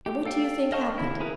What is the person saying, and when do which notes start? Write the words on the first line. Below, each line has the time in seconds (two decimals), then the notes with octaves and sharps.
And what do you think happened?
0.06 G4
0.25 A4 F5 G5
0.72 D#5 F5 G5 A5 C#6
0.98 E4
1.20 E4 G#4 A#4 B4